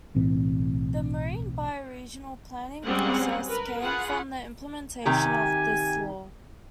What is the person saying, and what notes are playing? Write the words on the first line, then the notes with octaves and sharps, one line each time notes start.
The marine bioregional planning process came from the implementation of this law.
B1 A2 E3 C4
G3 G#3 C4 C#4 G#4 F#5
A#4 B4
F4 G#4 F#5 B5
C3 D#3 G4 G#5